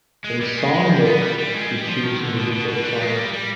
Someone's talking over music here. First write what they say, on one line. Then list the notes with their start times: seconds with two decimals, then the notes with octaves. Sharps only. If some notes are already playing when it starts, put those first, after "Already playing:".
In "song" mode, you chose individual songs.
0.24 G#3
0.41 G3
0.57 G#3
0.74 G#3
0.90 G3
1.06 B3
1.22 G3
1.38 G3
1.54 G#3
1.71 G3
1.87 F3
2.03 D#3
2.19 D3
2.36 B2
2.52 B2
2.68 B2
2.84 G3
3.01 G#3
3.16 G3
3.33 G3